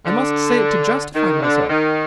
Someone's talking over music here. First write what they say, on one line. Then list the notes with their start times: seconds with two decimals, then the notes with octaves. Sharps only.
I must say it to justify myself.
0.06 D3
1.15 D#3
1.42 D3
1.69 D#3